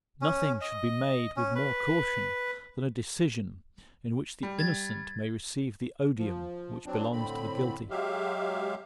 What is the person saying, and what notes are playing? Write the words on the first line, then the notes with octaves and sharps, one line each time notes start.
Nothing should be made with more caution than a decision in which the innocent may receive the odium which belongs to the guilty.
C#4
D#5
C#4
B4
G3
G#6 A6
F3
F#3 C4 D4
A2 D3 C4 B5
F#3 G#3 G4 E5 F5